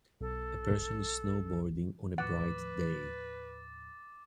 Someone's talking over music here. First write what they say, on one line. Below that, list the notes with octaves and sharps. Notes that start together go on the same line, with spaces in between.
A person is snowboarding on a bright day.
B1 A4
D#2 A2 F3 B4 F#5 D6 A6